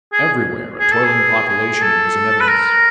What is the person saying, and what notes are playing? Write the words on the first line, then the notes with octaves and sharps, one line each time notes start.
Everywhere a toiling population was in evidence.
G#4
G#4
A4
G#4
G#4
A4
B4
A#4